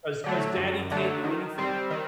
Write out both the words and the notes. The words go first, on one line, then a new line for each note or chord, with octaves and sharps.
'cause 'cause daddy can't do anything wrong.
D3 F#3 A3
F#2
D3 F#3 A3
D#3
G3 C4
D#3